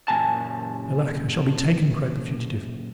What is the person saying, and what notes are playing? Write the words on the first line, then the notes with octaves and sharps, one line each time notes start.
"Alack, I shall be taken!" cried the fugitive.
F#2 A#2 G#5 A5